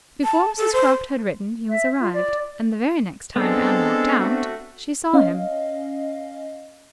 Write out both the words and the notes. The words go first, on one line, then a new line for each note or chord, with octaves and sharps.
Before Mrs Croft had written, he was arrived, and the very next time Anne walked out, she saw him.
A5
A4
C5
E5
F4
D5
G#3 B3 C4 D4 A4
A3 F#4
C#4 D#5 F5